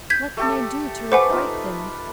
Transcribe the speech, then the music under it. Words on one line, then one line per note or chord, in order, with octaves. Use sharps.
What can I do to requite them?
G6 G#6 B6
A3 G4 A4
A3 B4 C5 F#5 G#5 D6
D#4 F4